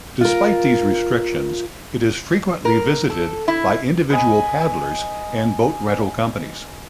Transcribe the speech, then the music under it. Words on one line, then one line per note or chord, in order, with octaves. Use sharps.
Despite these restrictions it is frequently visited by individual paddlers and boat rental companies.
F4 A#4
A#4
A4
E4
B4 D#5 G#5